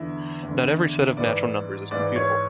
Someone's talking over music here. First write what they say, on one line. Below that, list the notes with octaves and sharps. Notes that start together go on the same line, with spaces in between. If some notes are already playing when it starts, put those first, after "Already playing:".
Not every set of natural numbers is computable.
Already playing: E2 D3 E4
E2 D3
G#2 E3 D5
G#2 E3 D5
C#5